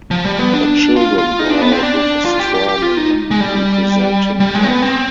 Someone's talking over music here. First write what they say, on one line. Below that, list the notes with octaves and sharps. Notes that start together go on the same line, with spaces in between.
The children go out with a straw-man representing Death.
F3
G3
B3
D4
F4
F4
D#4
D4
B3
C4
D4
F4
G4
G4
G4
F4
D#4
G#3
G3
G3
G#3
C4
B3
C4